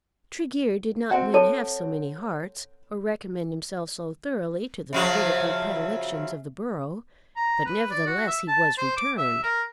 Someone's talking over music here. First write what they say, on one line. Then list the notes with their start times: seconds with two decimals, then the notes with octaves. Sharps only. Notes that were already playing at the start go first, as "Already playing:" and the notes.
Tregear did not win half so many hearts, or recommend himself so thoroughly to the political predilections of the borough;--but nevertheless he was returned.
1.11 C4 F#4
1.34 A4 C#5 A5
4.93 C#3 F3 F#3 E5
7.36 A#5
7.66 B4
7.91 D5
8.06 F#4
8.28 E5
8.48 A5
8.78 C5
8.97 D6
9.18 E5
9.43 A#4